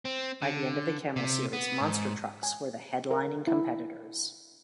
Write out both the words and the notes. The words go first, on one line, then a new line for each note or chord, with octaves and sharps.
By the end of the Camel series, monster trucks were the headlining competitors.
C4
D3
C3
B3
G#2
G#5
A#4
E4